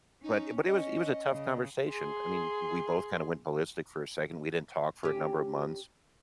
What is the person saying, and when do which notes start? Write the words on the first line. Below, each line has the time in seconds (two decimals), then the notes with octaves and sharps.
But i but it was it was a tough conversation, I mean, we both kinda went ballistic for a second, we didn't talk for a number of months,
0.23 C#4 D#4
0.67 C#4 D#5
1.31 C#3
1.91 G#4 C6
5.03 C#4 G4